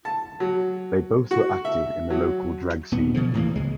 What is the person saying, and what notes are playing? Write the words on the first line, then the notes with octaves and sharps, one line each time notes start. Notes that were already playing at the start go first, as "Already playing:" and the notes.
They both were active in the local drag scene.
A5
F#3
F#4
E5
F#3
D#1 B3
B2 D3 F3
D1 A2 E3 A#3
C#2 G#3